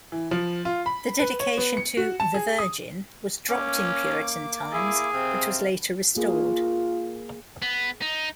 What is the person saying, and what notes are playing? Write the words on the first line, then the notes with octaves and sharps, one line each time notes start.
The dedication to "-the-Virgin" was dropped in Puritan times but was later restored.
E3
F3
F4
B5
B4
C#5
B3
C#7
F#4
A5
G#4
D#6
A#3 C#4 D6
E4 G#4
C3 C4 F5
A#3 F4 G#4 A#4
B3
D#4